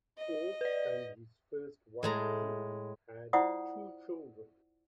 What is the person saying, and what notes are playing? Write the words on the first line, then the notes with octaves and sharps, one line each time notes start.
Ault and his first wife Julie had two children.
D#5
B4 D5
A2 G#3 A#5
E4 F4 C5 D5 F#5 D#6